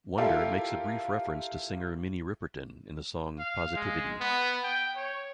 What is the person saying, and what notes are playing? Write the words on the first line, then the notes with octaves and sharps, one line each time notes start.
Wonder makes a brief reference to singer Minnie Riperton in the song "Positivity".
E4 F4 G4 A4 A#4
F5
G#3
B3
G5
C#5